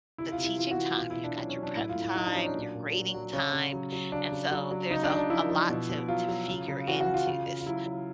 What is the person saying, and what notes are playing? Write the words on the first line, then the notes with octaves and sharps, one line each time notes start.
the teaching time, you've got your prep time, your grading time, and so, there's a a lot to to figure into this,
C3 E4
F4
C3
E4
E3 F4
F#4
E3
B2 F4
E4
B2
D4
F#3 C#4
C#4
F#3
D4
A2 E4
F4
A2
E4
F#3 D#4
D4
F#3 C#4
D4
A#2
A#2
F#3
F#3
C#3 C#4
C#3
F#3
F#3
C#3 D4
C#3
F#3
F#3
C#3 D#4
D4
C#3
D4
F3 E4
F3
B2
B2
F#3 F4
F#3
C#3
C#3
E3 F#4
F#4
E3
F4
C#3
C#3
F4
F#3 E4
F#3